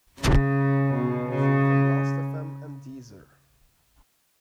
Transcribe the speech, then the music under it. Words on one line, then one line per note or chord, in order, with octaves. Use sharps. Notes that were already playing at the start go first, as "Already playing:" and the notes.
Play music from Lastfm and Deezer.
C#3
B2
C#3